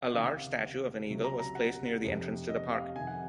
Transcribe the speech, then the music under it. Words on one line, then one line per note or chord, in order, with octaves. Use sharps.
A large statue of an eagle was placed near the entrance to the park.
F#5
C#2 C3 D#3 F5
C#2 C3 F#3
A#5
A#5
F#5
F1 F2 C3
D#5
F5
F2 C3 D#3 G#5
F#5